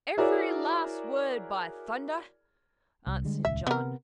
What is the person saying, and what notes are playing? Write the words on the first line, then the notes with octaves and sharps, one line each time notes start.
"Every last word, by thunder!" answered John.
E4 F#4 G#4 A#4 C#5 D5
C2
D3 G3 G#3
D#1 C#2 E5
C3 B3 A#4